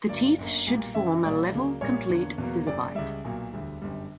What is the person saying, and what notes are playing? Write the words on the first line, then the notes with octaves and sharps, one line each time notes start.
The teeth should form a level, complete scissor bite.
G1 G2 F#3 A#3 D5
G1 F#2 D3 A#3
B1 A#2 G3 A#3
F#2 C#3 E3 E5
A#1 A#2 G3 A#3 D5
C#2 C#3 F#3 A#3
A#1 A#2 G3 A#3 C#5
E2 D3 A#3
E2 B2 F#3 A#3
F#1 F#2 C#3 D5
C#2 C#3 G3 E5
B1 A#2 F#3 A#3
E1 D2 D3 G3
G1 F#2 D3 G3